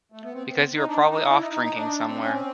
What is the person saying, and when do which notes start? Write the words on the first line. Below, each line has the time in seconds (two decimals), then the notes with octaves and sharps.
Because you were probably off drinking somewhere.
0.12 A3
0.23 B3
0.33 C4
0.76 D#4
0.87 D4
0.98 D#4
1.09 D#4
1.20 E4
1.31 E4
1.42 D#4
1.52 D#4
1.63 D#4
1.75 D4
2.06 C4
2.19 C#4
2.32 C4